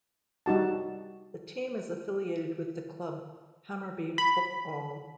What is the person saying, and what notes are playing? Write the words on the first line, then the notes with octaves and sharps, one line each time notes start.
The team is affiliated with the club Hammarby Fotboll.
G3 D#4 F#4 A5
B5